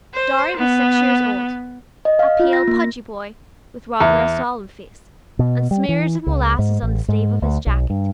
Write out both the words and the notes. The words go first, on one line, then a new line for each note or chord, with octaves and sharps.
Dorry was six years old; a pale, pudgy boy, with rather a solemn face, and smears of molasses on the sleeve of his jacket.
C5
B3
D#5
F5
F4
A#6
A#3
E2
B2
G3
E3
C#2
G#2
A1
G#2
D2
B1
G2